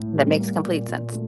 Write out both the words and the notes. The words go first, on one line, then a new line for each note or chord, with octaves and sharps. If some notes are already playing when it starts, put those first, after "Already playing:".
That makes complete sense.
Already playing: A2
G3
A#3
A#2
A#2
A3